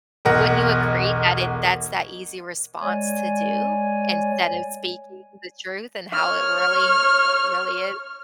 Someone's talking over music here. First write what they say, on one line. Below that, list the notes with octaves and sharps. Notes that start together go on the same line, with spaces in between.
Wouldn't you agree that it that's that easy response to do? Instead of speaking the truth, and how it really really is.
E1 B1 A#4 F#5 A#6
G#3 C#5 D5 G#5
C#5 F6